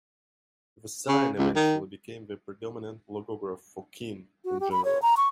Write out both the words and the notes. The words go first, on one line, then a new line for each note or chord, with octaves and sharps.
The sign eventually became the predominant logograph for "King" in general.
C#3
C#2
D#3
F#4
G4
B5
C#5
A#5
C#6